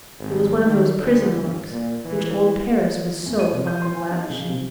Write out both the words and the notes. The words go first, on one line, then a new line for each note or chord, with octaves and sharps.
It was one of those prison locks which old Paris was so fond of lavishing.
G#1
D#3
D2
G1
A#2
E3
F#2
D#7
C3
G6
C6
G#5
D#4
C#3
C3